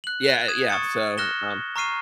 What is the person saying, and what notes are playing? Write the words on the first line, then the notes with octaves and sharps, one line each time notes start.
Yeah, eh yeah, so, um
F#6 F#7
D#6 G#6 D#7 E7
C#6 D#6 A6 C#7
F6 F#6 A#6 E7 G7
A#5 C#6 F6 C7 D#7